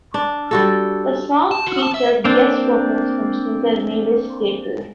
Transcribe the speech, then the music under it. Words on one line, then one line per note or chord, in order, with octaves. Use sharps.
The song featured guest vocals from singer Mavis Staples.
D4
G3 F#4 A4
A5
F#4
A5
E5
A#3 C4 D4